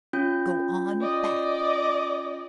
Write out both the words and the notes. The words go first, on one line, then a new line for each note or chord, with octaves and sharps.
"Go on back!"
C#4 F4 G6
D5 D#5